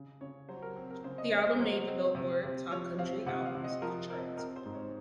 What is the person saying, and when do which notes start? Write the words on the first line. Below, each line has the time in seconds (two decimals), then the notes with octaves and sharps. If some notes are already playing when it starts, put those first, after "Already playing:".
The album made the "Billboard" Top Country Albums chart.
Already playing: C#3
0.21 C#3 C#5
0.49 F#3 C5
0.62 A#4
0.76 C4
0.91 A#4
1.04 C#3 C5
1.18 D#5
1.32 C#3 C#5
1.46 C5
1.59 F#3 C5
1.87 C4
2.15 C3
2.43 C3
2.71 F3 C#5
2.99 C4 F5
3.26 C3 F#5
3.46 F5
3.55 C3
3.64 D#5
3.82 F3 A#4
4.10 C4 A#4
4.37 C4 A#4
4.56 C5
4.66 G#2
4.75 C#5